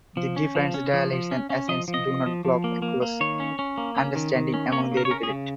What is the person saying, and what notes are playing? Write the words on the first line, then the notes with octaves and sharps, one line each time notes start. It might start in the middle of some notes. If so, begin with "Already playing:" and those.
The different dialects and accents do not block cross-understanding among the educated.
F3
C#4
F3
C#4
F3
F3
C#4
C#4
F3 D#5
F3
D#5
F3
F3
F3
A#3
A#3
A#3
D#3 C#5
C#4
C#4
A#3
C#4
D#3
D#3
C#4
A#3 C#5
C#3
A#4
C#5
C#4 A#4
G#4
C#3